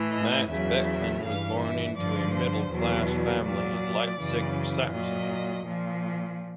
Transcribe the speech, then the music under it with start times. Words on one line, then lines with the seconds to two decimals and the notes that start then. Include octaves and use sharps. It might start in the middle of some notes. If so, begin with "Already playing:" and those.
Max Beckmann was born into a middle-class family in Leipzig, Saxony.
Already playing: A2 E3
0.12 D#5
0.49 E2 C#3 F#3 E5
1.23 G2 E3 F5
1.60 E5
1.97 G2 D3 F3 D5
2.34 C5
2.71 E2 B2 F#3
3.45 A#2 F#3 D5
4.19 F#2 C#3 E3
4.93 A#2 F#3 D#5
5.66 A#2 F3